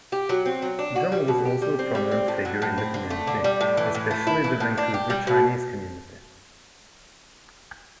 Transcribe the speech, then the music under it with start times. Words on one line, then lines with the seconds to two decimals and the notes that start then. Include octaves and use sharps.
Jung was also a prominent figure in the community, especially the Vancouver Chinese community.
0.12 G4
0.29 F#3
0.46 C4
0.62 F#3
0.79 D4
0.96 F#4
1.12 G3
1.28 B2
1.45 G4
1.62 G3
1.79 C4
1.95 G3
2.11 C4
2.28 A2
2.45 F#3
2.62 A2
2.78 C4
2.94 D3
3.10 A3
3.27 D3
3.44 G3
3.61 A2
3.77 E3
3.95 A2
4.11 A3
4.27 E4
4.44 E3
4.60 A2
4.78 D4
4.94 G4
5.10 G3
5.27 B2